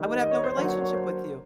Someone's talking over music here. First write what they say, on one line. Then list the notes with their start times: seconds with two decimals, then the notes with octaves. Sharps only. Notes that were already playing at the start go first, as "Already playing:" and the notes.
I would have no relationship with you,
Already playing: D#3 G3 A#3 D#4
0.19 D#5
0.31 C#5
0.44 C5
0.56 D3 F#3 A#3 C#5
0.69 C#5
0.82 C#5
0.94 C5